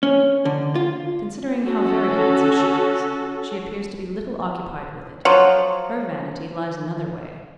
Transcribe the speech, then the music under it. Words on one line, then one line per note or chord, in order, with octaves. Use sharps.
Considering how very handsome she is, she appears to be little occupied with it; her vanity lies another way.
C#4
D3
F4
C#4 F#4 A4
F3 F#3